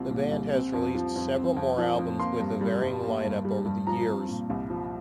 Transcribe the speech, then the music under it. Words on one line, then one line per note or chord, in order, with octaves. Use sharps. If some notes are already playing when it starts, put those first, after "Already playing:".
The band has released several more albums with a varying line-up over the years.
Already playing: C2 A#2 F3 C4
A#2
C2
C4
F2
F3
F2
C4
F2
F3
F2
A#3 C6
G2
G3
G2
A#3
G2
G3
G2
F3 A#5
C4
A#2
C2
F3